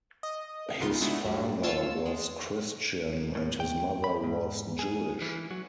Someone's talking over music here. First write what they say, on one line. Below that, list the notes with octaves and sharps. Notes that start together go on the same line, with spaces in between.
His father was Christian and his mother was Jewish.
D#5
C#2 C#3 B3 D#4 F4 C6
G#3 A3 B3 D4 E4 F#4
D2 G2 F#3 G3
D2 F4 C#5 A5 E6 E7
G#3
A2
G5
B5
G#2
G#4
E3
F#3